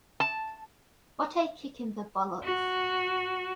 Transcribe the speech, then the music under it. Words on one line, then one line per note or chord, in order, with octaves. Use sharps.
What a kick in the bollocks.
A5
F#4